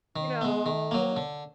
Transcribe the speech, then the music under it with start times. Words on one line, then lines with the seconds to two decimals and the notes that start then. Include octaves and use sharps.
you know
0.16 D#3
0.41 G#3 B3
0.66 D#3
0.91 F#3 A#3
1.16 D3